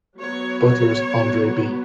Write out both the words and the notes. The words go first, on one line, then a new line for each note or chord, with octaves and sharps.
Butler's Andre B.
F#3 B3 C#5
C#5
F#3 B3